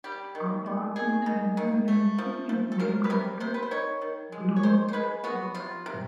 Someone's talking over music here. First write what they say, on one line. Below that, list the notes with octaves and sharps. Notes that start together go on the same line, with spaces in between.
A park in central Nancy is named after Blondlot.
G3 G4
D#3
D#3
D#3 G#4
D#3
D#3
A3
F3
F3
A4
F3 A#4
B4
C3 A#4
C3 C5
B4
C5
D#3 C#5
D#3
G#3
C#5
D#3 C5
C5
G#3 B4
B3 F#4
C3 F4
C3